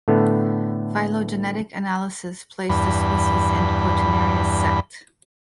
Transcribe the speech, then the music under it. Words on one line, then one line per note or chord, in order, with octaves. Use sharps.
Phylogenetic analysis placed the species in "Cortinarius" sect.
A2 D3 A3 B3
E2 G2 B5